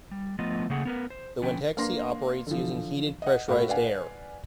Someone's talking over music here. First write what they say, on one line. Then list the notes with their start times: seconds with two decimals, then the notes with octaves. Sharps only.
The Windhexe operates using heated pressurized air.
0.11 G3
0.39 F3 A3 B3 F4 B4 D#5
0.70 C#3 A3 A#3 G#4 F#5
0.85 B3 A#4 B4
1.10 C5
1.42 D3 F3 C#4 B4 G5
1.77 A#3 D4 B4 C6 A#6
2.47 D3 E3 F3
3.22 D#5 F#5
3.48 A2 F#4 A#4 F5 B5
3.68 B4 D5 F5 F#5 G#5